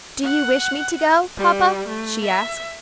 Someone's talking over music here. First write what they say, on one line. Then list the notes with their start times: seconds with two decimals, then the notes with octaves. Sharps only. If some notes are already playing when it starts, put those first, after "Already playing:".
"Do you wish me to go, papa?" she asked.
0.24 F#5
1.38 G3
1.88 A3
2.25 E5